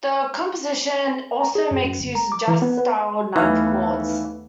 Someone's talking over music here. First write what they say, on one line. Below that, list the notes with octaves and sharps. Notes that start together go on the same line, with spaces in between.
The composition also makes use of jazz-style ninth chords.
A#5
G#4
F#2
F#2
G1
A#5
D6
E3
B3
B4
D#2 E3 A3 B3 D#4 F5